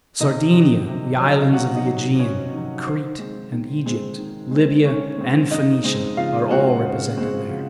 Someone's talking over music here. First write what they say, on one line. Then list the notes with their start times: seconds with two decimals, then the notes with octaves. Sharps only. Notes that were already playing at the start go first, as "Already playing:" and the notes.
Sardinia, the islands of the Aegean, Crete and Egypt, Libya and Phoenicia are all represented there.
0.20 C3 D#4 D#5
0.53 D#3 F#3
0.87 C3
1.20 D#3 F#3 C#5
1.30 D#5
1.42 F5
1.53 C3 F#4 F#5
1.75 D#4 D#5
1.86 D#3 F#3
2.19 C3 C#4 C#5
2.53 D#3 F#3
2.86 D#3 C5
3.19 G#3 C4
3.52 D#3
3.86 G#3 C4
4.18 D#3
4.51 G#3 C4
4.85 D#3 C#4 C#5
5.17 G#3 C4
5.51 C#3 D#4 D#5
5.84 G#3 C4 D#4 D#5
6.17 C#3 F4 F5
6.51 G#3 C4 F#4 F#5
6.84 C#3
7.17 G#3 C4
7.50 C#3